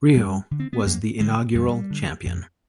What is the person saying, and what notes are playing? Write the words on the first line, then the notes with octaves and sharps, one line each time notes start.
Riho was the inaugural champion.
F2 G3
D3
C4
B3
F2 A#3
D3 G#3
F2 G3
D3
F2